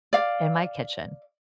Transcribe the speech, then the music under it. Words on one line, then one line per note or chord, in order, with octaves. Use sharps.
in my kitchen
D5 F5